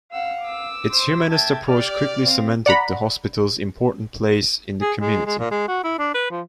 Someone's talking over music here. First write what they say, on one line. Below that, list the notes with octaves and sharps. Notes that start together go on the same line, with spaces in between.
Its humanist approach quickly cemented the hospital's important place in the community.
F5 F#5 E6
D6 E6
C5
A#3 E5 G5 A5 G#6
G4 D5 F6
C4 F5
D5 F#5 A#5 B5
G#4
G#3
G#3
A#2
G#3
F#4
E4
D4
B4
F3